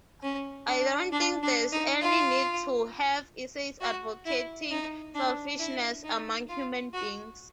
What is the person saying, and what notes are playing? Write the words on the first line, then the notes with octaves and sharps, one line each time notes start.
I don't think there's any need to have essays advocating selfishness among human beings.
C#4
D4
D4
D4
D#4
F4
F#4
E4
D#4
D4
E4
D#4
F4
F#4